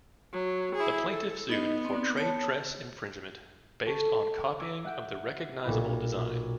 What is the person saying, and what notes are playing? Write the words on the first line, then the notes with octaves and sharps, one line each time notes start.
The plaintiff sued for trade dress infringement based on copying of the recognizable design.
F#3
E4 G#4
A4
B3 D#4 D#5
C4 D5
C#5 A5
A4 C#5
D6 E6 G#6 D7
E5 F#5 G6 D7
B1 A#2 F4 B5